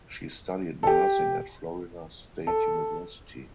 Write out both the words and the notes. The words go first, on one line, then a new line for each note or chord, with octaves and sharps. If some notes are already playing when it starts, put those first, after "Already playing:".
She studied nursing at Florida State University.
A4
G4
A4